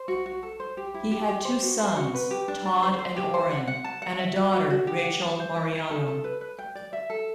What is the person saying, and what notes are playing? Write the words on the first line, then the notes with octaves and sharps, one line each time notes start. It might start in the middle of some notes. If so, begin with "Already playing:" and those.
He had by two sons, Todd and Orrin, and a daughter, Rachel Marianno.
Already playing: C5
F#4
F#4
A4
C5
G4
E4
G4
G4
C5
F#4
C5
F#4
B4
G4
D4
D4
C5
C5
G4
C5
F#5
F#5
A5
F#5
E5
F#4
F#4
F#4
G4
F#5
A5
C5
E4
E4
A4
A4
B4
B4
G5
D5
E5
A4